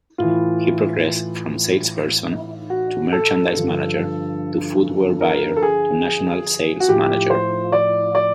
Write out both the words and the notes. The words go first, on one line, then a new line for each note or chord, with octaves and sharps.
He progressed from salesperson, to merchandise manager, to footwear buyer, to national sales manager.
A2 E3 F4
F#4
A4
G2 D3 F3
A#4
A4
G#4
F#4
A2 F3 G4
C5
D5
D5